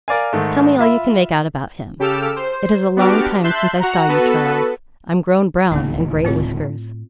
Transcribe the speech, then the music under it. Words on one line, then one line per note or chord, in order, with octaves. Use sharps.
Tell me all you can make out about him. It is a long time since I saw you, Charles; I'm grown brown, and great whiskers.
A#4 D5 F5 G#5
G#2 D#3 A3
F4 E5 B5
C#3 G4 A4 D6 E6 F6
C5
B3 D4 F#4 G4 D6 F6
E5 A5 C6 F#6 G6 C7
F#4 F#5 A#5
B3 F#4 A4 B4
D1 C#2 D#3 A#3 B3 D#4
A2 C4 F4 C#5